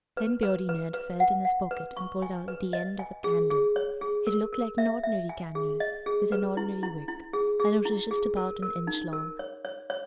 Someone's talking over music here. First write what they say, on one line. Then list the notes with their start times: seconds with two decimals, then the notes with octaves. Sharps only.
Then Beardy Ned felt in his pocket and pulled out the end of a candle. It looked like an ordinary candle, with an ordinary wick, and it was just about an inch long.
0.17 B4
0.43 B4
0.69 B4
0.94 B4
1.20 F#5
1.45 F#5
1.71 B4
1.97 C#6
2.22 G#5
2.48 B4
2.73 D#5
2.99 G#5
3.24 G#4
3.50 G#4
3.76 C#5
4.01 G#4
4.27 A#4
4.53 A#4
4.78 E5
5.04 E5
5.29 G#5
5.55 G#4
5.80 D#5
6.06 G#4
6.32 B4
6.57 E4
6.83 E4
7.08 E4
7.33 G#4
7.60 G#4
7.85 E4
8.11 G#4
8.37 A#4
8.63 A#4
8.87 D#4
9.13 A#4
9.39 C#5
9.65 C#5
9.90 C#5